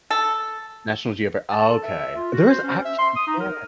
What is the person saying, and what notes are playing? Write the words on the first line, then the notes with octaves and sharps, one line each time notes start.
National Geograf okay. There is actually yeah.
A4
A5
A4
E5
F4
F#4
C5
C#4
E5
C6
D#6
D#4
A#4